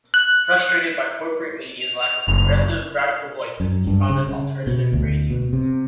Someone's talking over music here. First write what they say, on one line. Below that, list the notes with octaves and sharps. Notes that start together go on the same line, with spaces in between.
Frustrated by corporate media's lack of progressive, radical voices, he founded Alternative Radio.
F#6
F7
F#1
F#2
G2
C#3
C#3
B2
D2
B2
C3